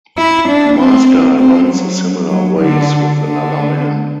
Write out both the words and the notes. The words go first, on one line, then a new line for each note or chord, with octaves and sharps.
The masker runs a similar race with another man.
E4
D4
C4
C4
F#3
F#3
D3
D3